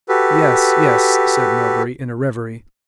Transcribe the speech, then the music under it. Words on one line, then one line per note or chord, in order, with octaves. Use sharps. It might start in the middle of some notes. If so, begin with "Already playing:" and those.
"Yes, yes," said Melbury, in a reverie.
F#4 G4 A4 B4